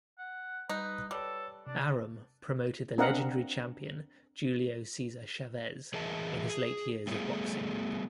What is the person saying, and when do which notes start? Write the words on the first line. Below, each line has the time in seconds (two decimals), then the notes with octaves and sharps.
Arum promoted the legendary champion Julio Cesar Chavez in his late years of boxing.
0.18 F#5
0.69 G3 D#4 B4 F#6 G6
1.11 G3 A4 B4 C#5
1.67 C3 D4
2.98 C4 D4 A#4 D#5 F5 F#5
5.94 E3 G#4 A#4 D#5 E5 A5
6.49 G#4
7.07 G3 A3 B3 E4 F4 G#4